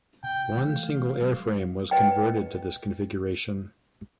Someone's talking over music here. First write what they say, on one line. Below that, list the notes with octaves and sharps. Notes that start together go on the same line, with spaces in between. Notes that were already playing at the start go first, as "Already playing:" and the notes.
One single airframe was converted to this configuration.
C3 G5
E3 G#3 A3 F5
F#3 G#3
B4 D#5 G5